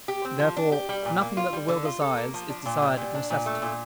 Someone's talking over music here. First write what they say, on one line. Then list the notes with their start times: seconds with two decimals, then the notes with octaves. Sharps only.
Therefore nothing that the will desires is desired of necessity.
0.08 G4
0.25 C4
0.40 F3
0.57 D4
0.72 G4
0.89 G3
1.05 A#2
1.21 A#3
1.37 F4
1.53 G3
1.68 D3
1.85 F4
2.01 A4
2.17 A#3
2.34 F3
2.50 D4
2.66 A#2
2.82 G3
2.97 A#2
3.15 D4
3.30 A#2
3.46 A3
3.62 A#2